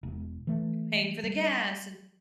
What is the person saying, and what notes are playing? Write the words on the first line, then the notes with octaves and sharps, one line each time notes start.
p paying for the gas, and
E1
E3 A3
G3